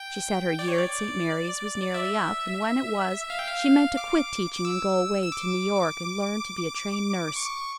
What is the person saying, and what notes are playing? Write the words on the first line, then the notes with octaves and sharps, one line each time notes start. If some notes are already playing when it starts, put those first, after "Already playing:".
She said her year at St. Mary's was nearly up, and when it was she meant to quit teaching and go away to New York and learn to be a trained nurse.
Already playing: G5
D5
C#5
D5
E5
F5
G5
F5
D6
D6
E6
E6
D6
C#6